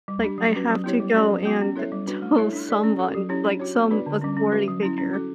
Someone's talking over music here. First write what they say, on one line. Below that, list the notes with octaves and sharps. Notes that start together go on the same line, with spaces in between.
like “I have to go and tell someone, like some authority figure
G3
D4 G4
F#3
C#4 F#4 B4
F#3
B3 E4 G4 C#5
G3
C#4 F#4 A4 D5
F#3
B3 F#4
C#4
E4 A4 C#5 E5
G3
D4 F#4 B4
A3
E4 A4 C#5 E5
D4
A4 D5
C#4
F#4 A4
F#3
C#4 E4 G4 C#5
D4
F#4 C#5
B3
D4 F#4 B4 D5
D3
G3 C#4
C#4
F#4 B4 E5
F#3
C#4 E4
C#4
F#4 A4